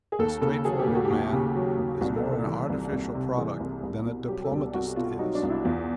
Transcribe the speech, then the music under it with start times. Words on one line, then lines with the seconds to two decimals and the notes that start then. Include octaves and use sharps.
A straightforward man is more an artificial product than a diplomatist is.
0.12 G#4
0.19 D#2 A4
0.41 C#3 A4
0.65 F#3 G#4
0.79 G4
0.87 D#2
0.95 F#4
1.05 G4
1.11 D#2 F#4
1.33 C#3
1.56 F#3
1.78 D#2
2.01 C2 F#4
2.16 A4
2.23 C3
2.31 A4
2.47 E3
2.69 C2
2.92 C2
3.15 C3
3.37 E3 G#4
3.60 C2
3.83 C2
4.06 B2
4.28 F#3 G4
4.44 A4
4.51 C2
4.59 G4
4.74 C2 F#4
4.96 B2 F4
5.19 F#3 D#4
5.35 D4
5.43 C2
5.50 E4
5.64 E2 F4